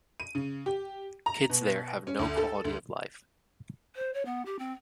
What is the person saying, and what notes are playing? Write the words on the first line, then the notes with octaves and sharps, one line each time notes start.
Kids there have no quality of life.
D#7
C#3
G4
A#5
B2
C#4
D2
A4
D2
C5
C#5
B3
G4
C4